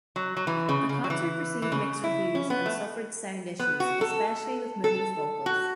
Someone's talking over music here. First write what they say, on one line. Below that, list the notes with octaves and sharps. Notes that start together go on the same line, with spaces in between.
The concert received mixed reviews and suffered sound issues, especially with Mooney's vocals.
F#3
F#3
E3
C#3
C#3
F#3
E3
E3
C#3
E4
C#4
B3
A3
B3
F#4
A4
A4
F#4